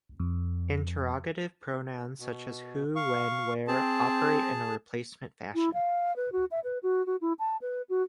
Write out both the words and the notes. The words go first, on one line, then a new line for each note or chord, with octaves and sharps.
Interrogative pronouns such as who, when, where, operate in a replacement fashion.
F2
B2
F5 C#6
C4 G#4 A5
E4
F5
B4
F#4
E5
B4
F#4
F#4
E4
A5
B4
F#4